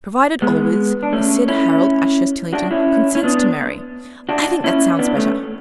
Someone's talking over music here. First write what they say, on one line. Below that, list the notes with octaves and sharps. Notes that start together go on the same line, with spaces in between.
"Provided always the said Harold Ashurst Tillington consents to marry"-- I think that sounds better!'
G#3 B3
D4
A3 C#4
C#4 E4
D4 F#4
C#4 E4
C#4
B3 D4
D4 F#4
C#4 E4
B3 D4
A3 C#4